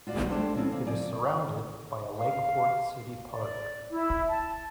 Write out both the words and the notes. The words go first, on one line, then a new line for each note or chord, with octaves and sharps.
It is surrounded by a Lakeport City Park.
F4 F#4 D5 F5
G#3 A3 D4 G4 A4 C5
C#3 E3 F3 C4 C#4
A#3 C4
C3 F3 D5 G#5
F5
D5
E4
A5